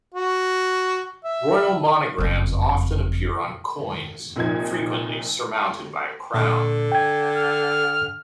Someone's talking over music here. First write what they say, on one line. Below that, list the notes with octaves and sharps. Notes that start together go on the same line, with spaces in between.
Royal monograms often appear on coins, frequently surmounted by a crown.
F#4
E5
F#1 F2
C2 A#2 F3 D#4 G#6
A#2 D3
G5 G#6
F6